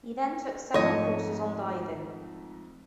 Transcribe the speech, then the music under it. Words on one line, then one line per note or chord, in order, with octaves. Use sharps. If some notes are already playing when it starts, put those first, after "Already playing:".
He then took several courses on diving.
F2 G#2 A3 C#5 D#5